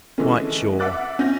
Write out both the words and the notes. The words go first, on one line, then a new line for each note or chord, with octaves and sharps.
"Quite sure."
E3 G#3 A3 C#4
E5 F#5 D6 F#6 A6
C#4 G6 A#6